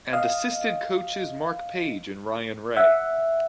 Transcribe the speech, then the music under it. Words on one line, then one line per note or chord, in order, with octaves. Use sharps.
And assistant coaches Mark Page and Ryan Ray.
D#5 F5
E5 F#5